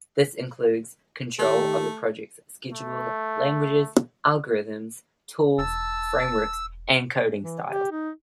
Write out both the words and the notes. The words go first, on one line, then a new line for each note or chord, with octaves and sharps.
This includes control of the project's schedule, languages, algorithms, tools, frameworks and coding style.
D#3 A3 G4
A3
E1 A5 E6
E3
G4
D#4